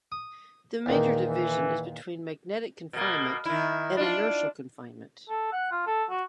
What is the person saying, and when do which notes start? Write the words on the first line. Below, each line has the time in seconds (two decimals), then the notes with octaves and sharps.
The major division is between magnetic confinement and inertial confinement.
0.12 D#6
0.86 E2 A#2 D#3 A#3
1.29 E3
2.93 B2 A#3
3.46 D#3 E4
3.97 D4 F4
5.29 A4
5.52 F#5
5.72 F4
5.87 A4
6.10 F#4